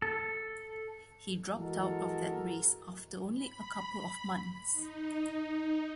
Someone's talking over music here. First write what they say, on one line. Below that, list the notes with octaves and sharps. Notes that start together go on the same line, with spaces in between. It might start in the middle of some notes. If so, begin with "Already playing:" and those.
He dropped out of that race after only a couple of months.
A4
E3 G#3 F#4 A4 A#4
B5
D#4